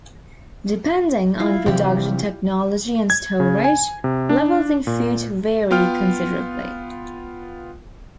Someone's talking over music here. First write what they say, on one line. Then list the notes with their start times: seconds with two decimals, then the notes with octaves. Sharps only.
Depending on production-technology and storage, levels in food vary considerably.
1.40 E4 F4 F5
1.66 C3 E3 F3 G4 D5 G5
3.10 G#6
3.40 C#3
3.64 G#5
4.04 C3
4.29 D4
4.87 A#2
5.71 B3 F4 G5 F6